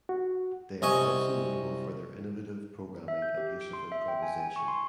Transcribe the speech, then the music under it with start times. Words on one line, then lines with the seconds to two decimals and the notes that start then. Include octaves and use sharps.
They are also notable for their innovative programming and use of improvisation.
0.09 F#4
0.82 C2 D#5 G#5 C#6
3.08 E5
3.22 G6
3.38 G4
3.61 D7
3.73 C6
3.92 E5
4.08 G5
4.23 G#5
4.40 G#5
4.56 C#6
4.68 C6